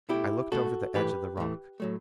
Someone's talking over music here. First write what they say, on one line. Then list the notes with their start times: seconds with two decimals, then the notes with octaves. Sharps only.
I looked over the edge of the rock.
0.09 B2 A3 E4 G4
0.52 B2 A3 F#4 A4
0.94 A2 E3 A3 G4 B4
1.37 A2 E3 A3
1.80 A2 F#3 A3